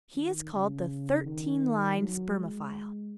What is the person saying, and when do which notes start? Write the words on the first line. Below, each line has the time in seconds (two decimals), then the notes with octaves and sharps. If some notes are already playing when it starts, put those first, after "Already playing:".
He is called the Thirteen-lined Spermophile.
0.15 D#3
0.52 C#3
1.25 D#3
1.98 F#3
2.35 G#3